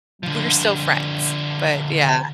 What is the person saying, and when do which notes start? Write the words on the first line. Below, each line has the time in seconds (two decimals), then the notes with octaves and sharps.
we're still friends, but yeah.
0.23 D3 F3